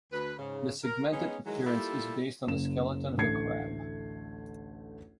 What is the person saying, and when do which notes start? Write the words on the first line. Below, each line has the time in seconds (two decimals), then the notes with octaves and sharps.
The segmented appearance is based on the skeleton of a crab.
0.12 D2 B4
0.39 G#2 C#3
0.84 A#4
1.11 G#3 B3 C#4 D#4 G#4
1.45 D#3 E3 F#3 G#3
1.65 G3 A#3 E4 F4 G4 A4
2.47 F#1 C#3 E7
3.17 A1 D2 A3 G#6 C7 C#7